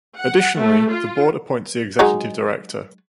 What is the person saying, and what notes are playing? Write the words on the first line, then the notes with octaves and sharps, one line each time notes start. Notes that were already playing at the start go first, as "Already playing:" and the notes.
Additionally, the Board appoints the Executive Director.
F#5
A3
F4
F#3 G#3 D#4